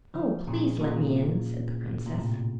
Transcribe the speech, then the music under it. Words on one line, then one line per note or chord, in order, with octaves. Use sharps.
"Oh, please, let me in!" said the princess.
C#3 F3
A#2 C#3
A#2 C#3
A#2
A2 C3